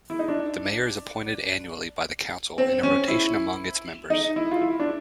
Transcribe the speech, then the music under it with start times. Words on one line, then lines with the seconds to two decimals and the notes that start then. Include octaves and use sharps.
The Mayor is appointed annually by the Council in a rotation among its members.
0.10 E4
0.19 D#4
0.28 D4
2.58 C4
2.83 C#4
3.08 E4
4.10 D#4
4.36 E4
4.51 F4
4.61 E4
4.80 D4